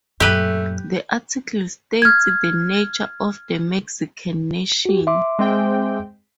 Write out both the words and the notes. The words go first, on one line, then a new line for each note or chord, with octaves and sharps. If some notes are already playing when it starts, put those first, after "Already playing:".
This article states the nature of the Mexican nation.
F#2 A#2 A3 G4 B4
F6 G#6
F#4 G4
E5 C6 D6
G#3 C4 G5